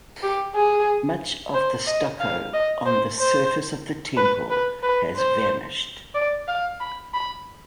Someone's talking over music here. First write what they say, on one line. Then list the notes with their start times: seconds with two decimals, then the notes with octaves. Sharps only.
Much of the stucco on the surface of the temple has vanished.
0.23 G4
0.54 G#4
1.54 C5
1.86 D#5
2.20 F5
2.53 D#5
2.86 C5
3.18 C5
4.17 B4
4.50 B4
4.83 B4
5.16 C5
6.14 D5
6.48 F5
6.80 B5
7.14 B5